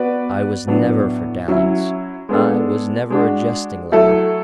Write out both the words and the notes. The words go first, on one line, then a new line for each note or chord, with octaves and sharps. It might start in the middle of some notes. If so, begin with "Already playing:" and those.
I was never for dalliance, I was never a jesting lover.
Already playing: B3 F#4 B4 D5
A2 F#3 B3 D4
F#3 C#4 E4
G#3 B3 D4 A4
G#3 D4 F#4
F#3 A3 E4 A4